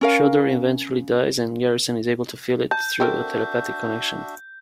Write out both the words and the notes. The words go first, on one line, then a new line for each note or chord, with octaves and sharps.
Schroeder eventually dies and Garrison is able to feel it through a telepathic connection.
C#4 A#4 F5
A5 G6
C4 D4 F#4 A4 A#4 E5